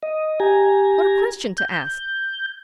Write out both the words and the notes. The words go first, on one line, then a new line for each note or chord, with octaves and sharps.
What a question to ask!
D#5
G4 G#5 A#5
G6